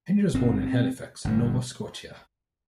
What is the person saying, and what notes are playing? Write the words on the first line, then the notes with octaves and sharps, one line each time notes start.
Henry was born in Halifax, Nova Scotia.
G1 G2 C4
G1 G2